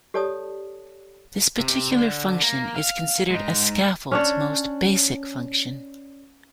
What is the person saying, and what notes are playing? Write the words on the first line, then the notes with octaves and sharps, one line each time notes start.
This particular function is considered a scaffold's most basic function.
G4 A4 C#5 D5 A5 D#6
C3
D3
A#3
F5
G#3 D#4
C#4 D4 C#5